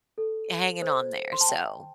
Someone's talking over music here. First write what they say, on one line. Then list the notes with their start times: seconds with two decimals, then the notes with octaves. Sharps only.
hanging on there. So
0.18 A4
0.82 C5
1.32 C6
1.41 A5
1.49 G5